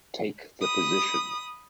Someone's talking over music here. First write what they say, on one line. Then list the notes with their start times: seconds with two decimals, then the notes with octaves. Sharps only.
Take the position'.
0.62 B5 D#6